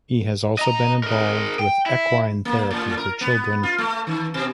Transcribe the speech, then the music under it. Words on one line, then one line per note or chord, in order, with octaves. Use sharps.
He has also been involved with equine therapy for children.
D#5 A#5
G#4 A#4
G5
E4
A#3
A2
A#4
B3
F4
A3
D#3
B2